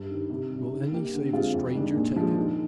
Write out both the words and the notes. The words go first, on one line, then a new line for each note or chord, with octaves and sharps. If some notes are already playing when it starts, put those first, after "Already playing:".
Will any save a stranger take it?
Already playing: G2
D#3 G3
C3
G3 D4
D#3
A#3 D#4 G4
D3
G#3 C4 F4 G#4
F2
D#3 G#3 D4
A#2
F3 G#3 D4
D#3